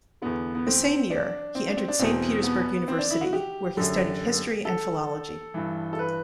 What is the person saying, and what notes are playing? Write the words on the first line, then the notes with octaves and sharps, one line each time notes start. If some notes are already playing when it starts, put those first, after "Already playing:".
The same year he entered Saint Petersburg University, where he studied history and philology.
E2 D3 B3
B3
C4
D4
C4
D4
C4
D4
E2 B2 C4
B3
C4
D4
E4
F#4
G4
F#2 D3
A4
G2 E3
A4
B4